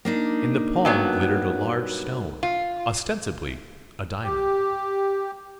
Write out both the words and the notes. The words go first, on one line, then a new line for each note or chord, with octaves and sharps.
In the palm glittered a large stone--ostensibly a diamond.
A#3 D4 D#4
G2 F#3 B3
F4
G4